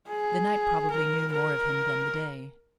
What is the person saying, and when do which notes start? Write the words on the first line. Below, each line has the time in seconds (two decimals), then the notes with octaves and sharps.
The night probably knew more of him than the day.
0.08 G#4
0.91 A#4
1.32 A#4